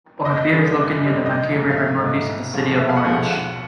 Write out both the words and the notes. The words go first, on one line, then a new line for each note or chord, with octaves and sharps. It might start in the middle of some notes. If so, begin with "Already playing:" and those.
Ophir is located near the Macquarie River northeast of the city of Orange.
F#1 D#5
F#2 D3 G3
F#1
F#2 D3 G3
A#1 D#5
G#2 F3 A3
F5
A#1 E5
G#2 F3 A3
F1
D#2 D3 F3 G#3
F1 E5
F5
F#5
D#2 D3 F3 G#3
F#5
B1 F#5